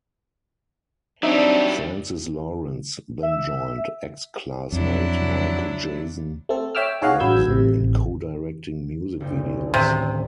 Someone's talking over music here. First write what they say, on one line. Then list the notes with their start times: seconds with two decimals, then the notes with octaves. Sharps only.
Francis Lawrence then joined ex-classmate Michael Jason Rosen in co-directing music videos.
1.23 F#3 G3 C4 D4 D#4 E5
3.23 E5
4.72 F2 F#3 D4 E4
6.49 A3 C4 A4
6.75 C#5 E5 G5 D6 E6 F6
7.01 D#4 G#4 C#5 D#5 F5 F#5
7.20 A1 F#3 B4 E6 G6 G#6
7.46 A1 A2 C3
9.20 F#1 D2 G6
9.74 A2 C3 D#3